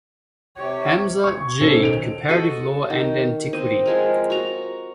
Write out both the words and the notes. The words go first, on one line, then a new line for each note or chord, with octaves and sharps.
Hamza, G., Comparative Law and Antiquity.
C3 G4 C#5
C#6 G#6
B1 C#4 A4 C5 G7
D#3 D7 F7
F#4 A4 D#5 F#5
D#3
C4 D#5
F3 G#3 A#4
F#4 A#5